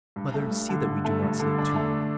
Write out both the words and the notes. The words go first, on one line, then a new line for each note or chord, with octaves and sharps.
Mother, see that we do not sleep too long.
G2
A3
G2
D3
G2
A3
G2
D3
D4
A3